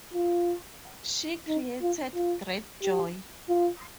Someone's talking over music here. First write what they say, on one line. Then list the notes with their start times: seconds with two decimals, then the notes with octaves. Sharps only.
She created great joy.
0.14 F4
1.48 D#4
1.82 F4
2.15 F4
2.82 G4
3.49 F4